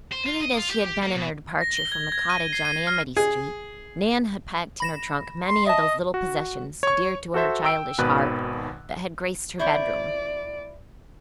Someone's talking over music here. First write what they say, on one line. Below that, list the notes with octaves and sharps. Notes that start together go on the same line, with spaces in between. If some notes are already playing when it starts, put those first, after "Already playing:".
Hurried as she had been her departure from the cottage on Amity Street, Nan had packed in her trunk many of those little possessions, dear to her childish heart, that had graced her bedroom.
C5
F4
D#5
F4
G4
G4
A#3
B2
A#6
G7
G#6
G#6
D#7
C7
D#7
F6
G#4
B5 A#6 E7
C6
D#5 E5 A5
F#4
C#5 C#6
F#4 A4 C5 E5
G5 E6 D7
G#1 B2 D#3 B4 F#6
E4 C5 D5 C#6